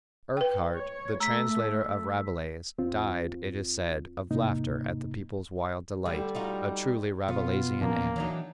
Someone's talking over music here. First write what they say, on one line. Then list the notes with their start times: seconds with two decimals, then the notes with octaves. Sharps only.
Urquhart, the translator of Rabelais, died, it is said, of laughter at the people's wild delight--a truly Rabelaisian end.
0.37 B4 G5
0.75 C#5
1.20 A3 A#5 E6 B6
2.78 E2 C4 F4
4.30 E2 G#2 C3 A#3 D#4
6.06 D2 D3 G3
6.35 D#4 F4 F#4
7.28 B2 B3 F4
7.81 A#2 F3 A#3 C#4
8.16 E3 F#3 D4 D#4